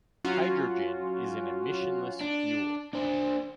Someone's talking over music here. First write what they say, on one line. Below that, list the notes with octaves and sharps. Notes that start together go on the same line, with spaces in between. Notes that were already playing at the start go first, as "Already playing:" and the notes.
Hydrogen is an emissionless fuel.
F#3 C#4 F4 F#4
D4
D4 C5